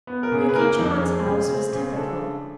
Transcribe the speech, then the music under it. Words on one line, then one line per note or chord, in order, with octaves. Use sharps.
Yuki Chan's house was typical.
B3
A#4
C#3
G#4
B4
A#3 A#4
F2 A4
C4 G#4
C#3 G#4
C4
C#3
D4 A4